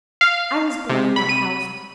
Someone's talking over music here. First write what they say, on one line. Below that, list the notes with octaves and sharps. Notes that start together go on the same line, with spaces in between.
I was born in that house.
F5
C3
B5
D#7